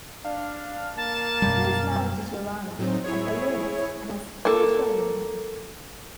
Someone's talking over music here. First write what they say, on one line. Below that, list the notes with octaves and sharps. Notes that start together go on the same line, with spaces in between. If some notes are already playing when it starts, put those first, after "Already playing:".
He is married to Joanna, a balloonist, and has two children.
D4 F5
A#3 A5
F#2 B2 G3
A2 F#3 C4 D#4
E4 G#4 C#5
A#3 A4